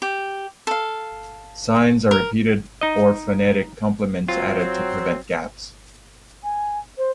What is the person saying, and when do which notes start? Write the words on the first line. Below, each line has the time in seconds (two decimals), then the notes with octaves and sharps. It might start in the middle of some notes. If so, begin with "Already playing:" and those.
Signs are repeated or phonetic complements added to prevent gaps.
0.02 G4
0.67 A4 F5
2.11 A#4
2.81 D#4 D#5
4.28 F#3 C4 F4
6.43 G#5
6.98 C5